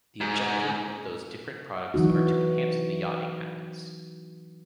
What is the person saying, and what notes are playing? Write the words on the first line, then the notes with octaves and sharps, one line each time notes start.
The objective of those different products are to enhance the yachting habits.
G#2
E3 F#3 D#4 F#4